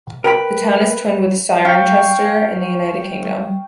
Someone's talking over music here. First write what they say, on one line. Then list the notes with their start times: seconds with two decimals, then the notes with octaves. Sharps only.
The town is twinned with Cirencester in the United Kingdom.
0.24 A#4 B4 G5 B5
1.65 F5 G5 C#6